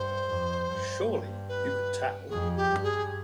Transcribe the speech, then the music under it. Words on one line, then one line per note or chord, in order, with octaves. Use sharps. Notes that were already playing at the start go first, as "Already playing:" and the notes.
Surely you could tell?
Already playing: G2 C5
F2
G2
B4
F2 G#4
G4
G2
G#4